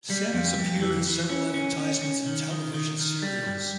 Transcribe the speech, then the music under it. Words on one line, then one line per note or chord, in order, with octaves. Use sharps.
Sami has appeared in several advertisements and television serials.
G3
F2
F2
E3
E3
C#4
C#4
C#4
C#4
D#3
D#3
D#3
D#3
G3
G2